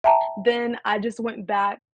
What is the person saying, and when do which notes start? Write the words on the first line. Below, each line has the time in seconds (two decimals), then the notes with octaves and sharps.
then, I just went back,
0.04 E5 G5 A5 A#5